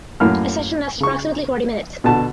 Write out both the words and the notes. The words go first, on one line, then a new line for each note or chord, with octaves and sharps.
A session lasts approximately forty minutes.
F#2 A2 A#3 B5 F6
C#3 C#6
B2 D3 A5